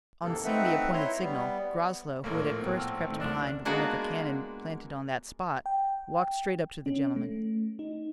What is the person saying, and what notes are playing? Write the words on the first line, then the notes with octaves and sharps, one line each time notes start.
On seeing the appointed signal, Groslow, who had at first crept behind one of the cannon planted on that spot, walked straight up to the gentlemen.
F2 G#2 C3 E3 A#3 A4
A3 C4 D#4 B4 E5 F#5
E4 C#5 E5 A#5 C6
G3 B3
A#1 A2 A#3
F4
B3 C4
F#5 E6 F6
D#3 A3 C4
F#1 C2 D4 F#4
G#3 A#3 B3 D4 F4 F#4
G5
C#4
A3
D#4